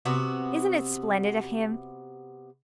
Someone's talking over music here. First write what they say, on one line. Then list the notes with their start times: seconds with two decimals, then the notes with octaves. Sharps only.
Isn't it splendid of him?
0.05 C3 B3 F#4